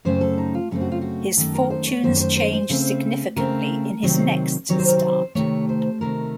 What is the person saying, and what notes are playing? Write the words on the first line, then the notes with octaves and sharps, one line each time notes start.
His fortunes changed significantly in his next start.
F#2 C#3 A3 C4 C5
A4
D#4
F4
F#2 C#3 A3 C4 A4
F#4
F4
F#4
F#2 D#3 A3 A4
A#4
C5
C#5
F#2 D#3 A3 C5
C#5
C5
C5
C5
C#3 A3 C4
C#3 A3 C4 A#4
C3 D#3 F#3 C4
C3 D#3 F#3 C4 C#5
C5
A#4
C5
C3 D#3 A3 C#5
C5
C3 D#3 A3 A#4